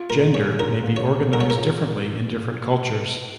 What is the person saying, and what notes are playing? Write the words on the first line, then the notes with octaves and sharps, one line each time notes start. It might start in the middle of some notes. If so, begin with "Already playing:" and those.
Gender may be organized differently in different cultures.
Already playing: F4
A#2 A#4
G#4 C#5
F4 A#4
A#2
C#5
A#2
G#4 A#4
C#5
A#4
F4